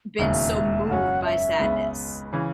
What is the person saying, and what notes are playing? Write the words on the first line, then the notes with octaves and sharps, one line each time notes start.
been so moved by sadness.
E1 D#2 C#3 E5
F#2 C#3 F#3 C#4 F#5
E5
C#2 C#3 G#3 B3
C#3 E3